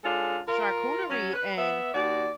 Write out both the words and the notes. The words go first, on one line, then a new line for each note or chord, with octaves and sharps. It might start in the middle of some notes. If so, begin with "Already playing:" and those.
charcuterie and,
G#3 C#4 D4 F4 A4
F4 A#4
F#3 C#4
B4
B3 E5
D#2 F#4 D5